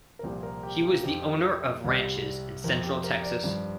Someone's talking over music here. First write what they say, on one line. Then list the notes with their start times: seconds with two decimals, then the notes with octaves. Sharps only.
He was the owner of ranches in Central Texas.
0.19 A#4
0.23 C2 A#2 F3 G4
0.43 A#4
0.63 G4
0.83 F4
1.04 F2 F3 G4
1.84 C2 C3 G3
2.64 F2 F3 A#4
2.84 G4
3.04 A#4
3.23 D5
3.44 G2 F3